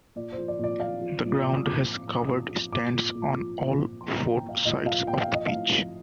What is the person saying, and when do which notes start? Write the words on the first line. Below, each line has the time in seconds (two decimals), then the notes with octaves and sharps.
The ground has covered stands on all four sides of the pitch.
0.16 A#2 D5
0.32 C5
0.38 F3
0.48 D5
0.59 A#2 D5
0.80 F3 F5
1.01 F3
1.23 A#2
1.44 A#2 D6
1.55 D#6
1.65 A#2 D6
1.87 F3
2.08 A#2 D#6
2.16 D6
2.24 D#6
2.30 A#2
2.51 F3
2.73 A#2 D6
2.94 A#2
3.15 A#2
3.36 F3
3.58 A#2
3.79 A#2
4.00 F3 C6
4.17 A#2 A#5
4.33 G5
4.44 A#2
4.49 F5
4.65 A#2 D#5
4.86 F3 F5
5.07 A#2 G5
5.21 F5
5.29 F3
5.34 D#5
5.47 A2 F5
5.72 F3